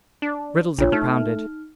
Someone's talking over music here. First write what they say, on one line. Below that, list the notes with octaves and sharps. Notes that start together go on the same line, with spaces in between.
Riddles are propounded.
D4
A#1 D4 F4 C#5
A3 D#4 F6